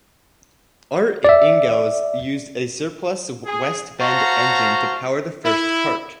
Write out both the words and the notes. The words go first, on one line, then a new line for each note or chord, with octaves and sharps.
Art Ingels used a surplus West Bend engine to power the first kart.
D5 E5
G#4
F#4 C5 C#5 F5 A5 A#5
E4